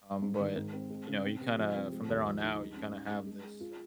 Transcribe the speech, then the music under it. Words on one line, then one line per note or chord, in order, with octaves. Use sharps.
Um, but, you know, you kinda from there on out, you kinda have this, uh,
G#2
D#3
G#2
C4
G#3
C#3
C4
C3
F3
C4
G#3
D#2
F3
D#4
G#3
C#4
D#4
G#3
G#3
G#4
F4